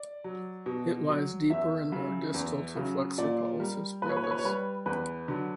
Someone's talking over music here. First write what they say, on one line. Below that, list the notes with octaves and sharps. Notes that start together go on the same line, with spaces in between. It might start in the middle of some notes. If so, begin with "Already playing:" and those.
It lies deeper and more distal to flexor pollicis brevis.
Already playing: D5
F#3
B2
F#3
E2 E5
C#3 F#3
E2
C#3 F#3
A#2 D5
G3 A#4
A#2 B4
C#5
B4
C#5
B4
C#5
G3 B4
E2 B4
D3 F#3